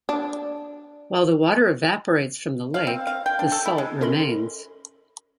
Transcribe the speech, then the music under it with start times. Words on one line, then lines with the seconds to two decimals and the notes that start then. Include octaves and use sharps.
While the water evaporates from the lake, the salt remains.
0.09 D4
2.74 F5
2.87 C4
3.07 F5
3.26 G5
3.39 D4
3.52 A4
3.66 E4
3.78 G#3
4.01 C#4 A4 A#4 D#5 B5 C6